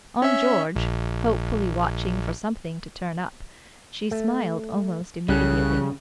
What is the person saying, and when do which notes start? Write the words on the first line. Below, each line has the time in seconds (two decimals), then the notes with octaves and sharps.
On George, hopefully watching for something to turn up, she smiled almost immediately.
0.22 C#4 E5
0.76 A#1
4.11 A3
5.28 C2 C#3 G3 C#4 A4 F#6